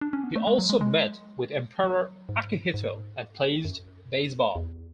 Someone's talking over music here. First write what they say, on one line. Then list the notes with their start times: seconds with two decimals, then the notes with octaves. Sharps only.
He also met with Emperor Akihito and played baseball.
0.01 D4
0.13 C#4
0.24 B3
0.36 A3
0.47 G#3
0.58 F#3
0.70 G#3
0.81 G#3
1.84 F#3
2.29 G#2
2.74 G#2
3.65 F#2
4.55 E2